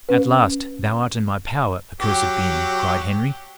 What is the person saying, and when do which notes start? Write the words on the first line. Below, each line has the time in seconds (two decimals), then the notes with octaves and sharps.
"At last, thou art in my power, accursed being!" cried Henry.
0.09 C#4 B4
2.01 F#3 G4